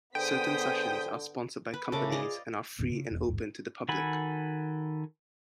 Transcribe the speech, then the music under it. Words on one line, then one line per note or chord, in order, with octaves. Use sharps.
Certain sessions are sponsored by companies and are free and open to the public.
D3 B3 G#4 C5 G5 D#6 B6
B4 B5
C#3 A4 A#4 E5 D6
F4 G#4 D5 D#5 F5
F#1 D#2 A2 D3
C#3
E1 E2
A#1 D#2 G#2 D#3
D#3 F#4 A4 G#5 B5